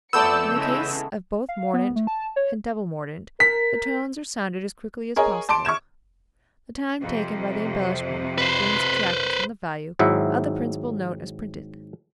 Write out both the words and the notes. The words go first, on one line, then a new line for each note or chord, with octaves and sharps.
In the case of both mordent and double-mordent the tones are sounded as quickly as possible, the time taken by the embellishment being subtracted from the value of the principal note as printed.
F2 A3 B3 D5 E6 G6 C#7
C#3 E3 G#3
F5
B3
A3
A5
C#5
A#4 B6
G#4 A#4 C#5 D#5 G#5
A5 C6 D6 D7
C#6 F6 G#6 E7
F2 C3
B4 C5
G#1 G#2 F#3 E4 E5